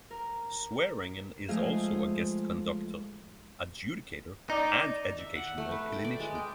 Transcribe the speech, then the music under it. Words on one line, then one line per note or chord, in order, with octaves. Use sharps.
Swearingen is also a guest conductor, adjudicator and educational clinician.
A#4
F3 G#3 A3 F4 G#4 F5
D#4 D5
E5
F#5
A3
B4
G5
D5
G#3
G5